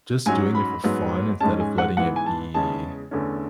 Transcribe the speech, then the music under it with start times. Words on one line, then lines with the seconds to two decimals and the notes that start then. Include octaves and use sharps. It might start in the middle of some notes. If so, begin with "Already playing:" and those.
just doing it for fun instead of letting it be,
0.26 G#2 F#3 C#4 G#5
0.55 B5
0.84 G#2 F#3 B3
1.41 G#2 G#3 C#4 A5
1.60 G#5
1.78 F#5
1.97 G#2 E3 B3 F#5
2.16 G#5
2.26 A5
2.54 E2 C#3 G#3 C#4 A5
3.11 E2 D3 A3 C#4